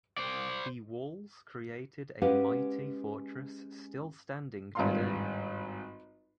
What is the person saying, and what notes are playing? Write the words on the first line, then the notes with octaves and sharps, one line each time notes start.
The walls created a mighty fortress still standing today.
C5 D5
G#3 C#4 G4 B4 F5 F#5
G#1 G2 F4 F5 A#5 C6